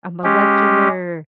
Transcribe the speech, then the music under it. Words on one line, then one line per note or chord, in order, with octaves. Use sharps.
a molecular
G#3 C#4 G4